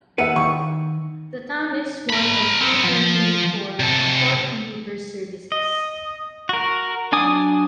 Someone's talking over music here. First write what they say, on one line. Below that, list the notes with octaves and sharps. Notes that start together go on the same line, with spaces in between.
The town is one of two termini for Cork Commuter Services.
D#2 B4 E5 F#5
D#3 C#6
A#4 B5
B3 C4
F3
C3 A4
D#5
F#4 A#4
F#3 D4 G#5 D6 D#6